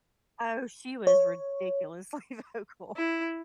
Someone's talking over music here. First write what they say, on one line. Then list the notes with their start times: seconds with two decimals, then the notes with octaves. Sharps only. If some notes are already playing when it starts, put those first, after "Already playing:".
Oh, she was ridiculously vocal,
1.07 C#5
2.97 E4